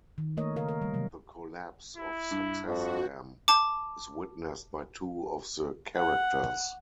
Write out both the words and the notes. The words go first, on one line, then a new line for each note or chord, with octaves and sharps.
The collapse of Success Dam is witnessed by two of the characters.
D#3
A3 A#3 A#4 C#5 D#5
C#3 A#4 F5
A#4
G3
C3 F#3
E4
G2
F2 F#4
A5 D6
F#5